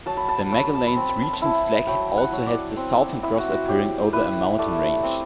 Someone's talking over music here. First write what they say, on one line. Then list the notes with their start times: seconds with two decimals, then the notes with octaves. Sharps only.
The Magallanes Region's flag also has the Southern Cross appearing over a mountain range.
0.06 F#3 A5
0.17 B5
0.28 A5
0.40 B5
0.51 F#3 A5
0.64 B5
0.75 A5
0.87 B5
0.96 C4 A5
1.09 B5
1.22 A5
1.33 B5
1.42 E4 A5
1.87 F#3 G5
2.18 F#5
2.32 F#3
2.47 D5
2.77 C4
3.23 E4
3.38 F#4
3.52 F#4
3.68 F#3 G4
4.13 E4 B4
4.59 A3 D5
5.03 C4